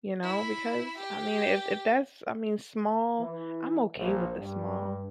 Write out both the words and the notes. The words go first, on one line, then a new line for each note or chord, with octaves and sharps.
you know, because, I mean, if if that's, I mean, small, I'm okay with the small.
E4
G4
E3
A#1
G2